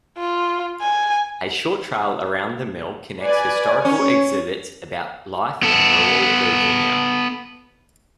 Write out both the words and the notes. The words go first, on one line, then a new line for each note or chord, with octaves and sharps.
A short trail around the mill connects historical exhibits about life in rural Virginia.
F4
G#5
B4 D5 G#5
C#4 C#5
B3 A4